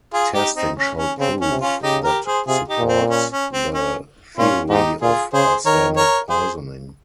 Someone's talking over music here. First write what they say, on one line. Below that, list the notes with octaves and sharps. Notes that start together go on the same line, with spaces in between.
Testing showed proof that supports the theory of arsenic poisoning.
F4 G#4
D#4 G4
C4 D#4
C#4
C#4
C#3 C4
C#4
C3
C#4 F4
C#3 D#4 G4
G4 A#4
G#4 C5
C3 F4 G#4
D#4 G4
A#2
C4
C#4
C#4
C4
C#4
A#2 C#4 F4
G#2 D#4 G4
A#2 F4 G#4
C#3 G#4 C5
D#3 A#4 C#5
A#4 C#5
G#4 C5